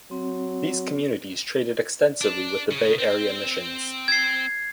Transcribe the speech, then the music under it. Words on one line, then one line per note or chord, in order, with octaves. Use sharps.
These communities traded extensively with the Bay Area Missions.
F#3 C4
D4
C#3
C4
G#6 C7